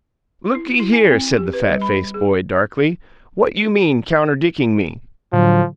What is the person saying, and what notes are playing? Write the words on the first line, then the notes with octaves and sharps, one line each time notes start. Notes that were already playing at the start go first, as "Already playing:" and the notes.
"Looky here," said the fat-faced boy, darkly, "what you mean, counterdicking me?"
E4
E4
G#5
C4
G4
B4
G3
B5
G#4
A2 D3 F3 F#3